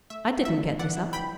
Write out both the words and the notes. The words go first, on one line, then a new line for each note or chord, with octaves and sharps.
I didn't get this up.
A3 E5
A3
A3 E5
D3
E3 D5 F#5
E4
E3 G5 B5